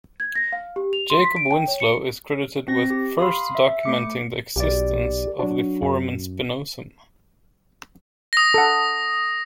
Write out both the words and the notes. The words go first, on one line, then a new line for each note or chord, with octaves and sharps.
Jacob Winslow is credited with first documenting the existence of the foramen spinosum.
G#6
A#6
F5
G4
F7
C6
B6
D7
G5
C#5
C#7
C4 A#6
G4
F5 B5 C6 D#6
E5
A3 D6 C#7
B1 G4 D5
F#3 D4 F#4
F#2
D#6 A#6
A4 F#5